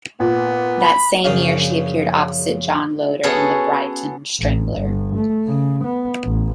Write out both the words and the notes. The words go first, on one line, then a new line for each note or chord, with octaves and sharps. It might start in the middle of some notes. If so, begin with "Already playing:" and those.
That same year she appeared opposite John Loder in The Brighton Strangler.
A#2 B3
B5
A#1 F#2 C#3 F5
B3 C#4 F#4 G#4 A4
A1
G1
A3
C#3
B3
A1